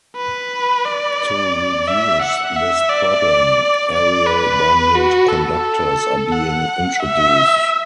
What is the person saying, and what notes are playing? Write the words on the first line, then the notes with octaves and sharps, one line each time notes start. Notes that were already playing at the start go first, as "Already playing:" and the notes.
To reduce this problem, aerial bundled conductors are being introduced.
B4
D5
E5
F#5
E5
D5
D5
B4
F#4
A4
F#5
E5